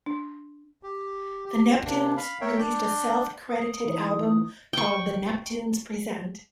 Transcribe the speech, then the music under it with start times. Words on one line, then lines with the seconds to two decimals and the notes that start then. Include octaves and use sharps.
The Neptunes released a self-credited album called The Neptunes Present...
0.06 D4
0.83 G4
1.46 G4
1.85 C3 A#3 D4
2.17 F5 B5
2.41 A#4 C#5 E5 G5
2.59 D4 D5 G6
3.49 D#6
3.86 E3 D#4 E4
4.73 G5 C#6